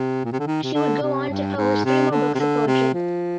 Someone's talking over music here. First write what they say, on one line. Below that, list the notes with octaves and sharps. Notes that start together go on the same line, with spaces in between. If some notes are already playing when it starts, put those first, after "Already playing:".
She would go on to publish three more books of poetry.
Already playing: C3
A#2
C3
D3
D#3
C3
D3
C3
G2
G#2
C3
D3
C3
D3
C3
F3